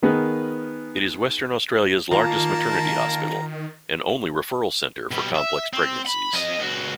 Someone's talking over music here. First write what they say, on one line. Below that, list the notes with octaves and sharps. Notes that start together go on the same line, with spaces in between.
It is Western Australia's largest maternity hospital and only referral centre for complex pregnancies.
D#3 B3 G#4 A#4 B4
D#3 A#3 F4 A5 A#5
B2 G3
E5
C4
B5
F2 D#5
C#2 F#4